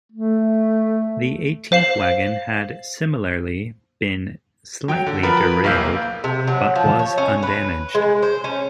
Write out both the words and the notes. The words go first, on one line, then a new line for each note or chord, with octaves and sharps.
The eighteenth wagon had similarly been slightly derailed but was undamaged.
A3
C5 F5 C7 E7 F#7
F#3 G5
D3
F3 A#4 B4 B5
D1 B1 A#3 F5 E6 G6
C3
F#3
F3
C#5
C#4
B4
G#3
C5
C#4